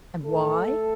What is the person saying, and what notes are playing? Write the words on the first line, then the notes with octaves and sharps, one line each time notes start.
And why?
A2 E3 A3 A4